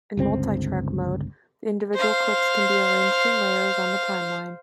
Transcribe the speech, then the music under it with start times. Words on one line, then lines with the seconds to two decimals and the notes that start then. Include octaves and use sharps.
In multitrack mode, the individual clips can be arranged in layers on the timeline.
0.17 G1 C#2 C4
1.94 C5 F5